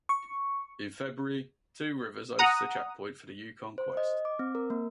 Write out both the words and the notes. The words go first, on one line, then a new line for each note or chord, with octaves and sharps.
In February, Two Rivers hosts a checkpoint for the Yukon Quest.
C#6
F#5 A#5 D#6
C5
D#5
D6
C4
A#4
A#3